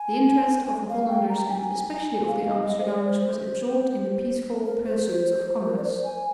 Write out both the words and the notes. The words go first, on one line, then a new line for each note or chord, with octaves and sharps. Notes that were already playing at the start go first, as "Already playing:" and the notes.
The interest of the Hollanders and especially of the Amsterdammers was absorbed in the peaceful pursuits of commerce.
Already playing: G#5
F5
G5
A#5
G5
G#5
F5
D#5
F5
D#5
C5
D5
C5
A#4
C5
C5
C5
A#4
D5
C5
G#5